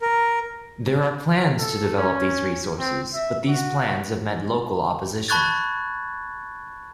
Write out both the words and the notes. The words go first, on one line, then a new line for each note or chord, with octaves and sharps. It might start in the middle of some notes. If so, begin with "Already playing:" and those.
There are plans to develop these resources, but these plans have met local opposition.
A#4
A4
C#4
C4
E5
F#4
A5 B5 C#6 F#6 G#6 A6